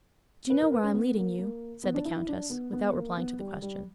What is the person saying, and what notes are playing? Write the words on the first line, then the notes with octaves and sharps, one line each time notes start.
"Do you know where I am leading you?" said the countess, without replying to the question.
B4
A#4
B4
C#4
B3
A#3
A#3
B3
D4
E4
E4
D4
B3
B3
A#3
B3
G3
G3